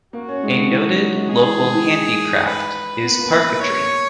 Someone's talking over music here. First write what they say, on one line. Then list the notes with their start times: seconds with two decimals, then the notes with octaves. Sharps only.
A noted local handicraft is parquetry.
0.13 A#3 F#4
0.29 C#4
0.43 G#3
0.52 C#3
0.57 D#3
0.71 E3
0.87 F#3
1.01 F#3
1.15 G#3
1.29 G#3 G#4
1.45 E3
1.59 D#3
1.73 E3
2.46 B4
3.03 B3
3.19 A#3
3.33 A#3
3.61 C#5